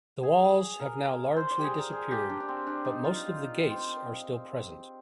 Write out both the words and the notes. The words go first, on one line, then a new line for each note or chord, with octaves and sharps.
The walls have now largely disappeared, but most of the gates are still present.
G#4
A#4
C5
D5
G4
G#4
A#4
G#4
G4
D4
D4
C4
D4
D#4
F4
C4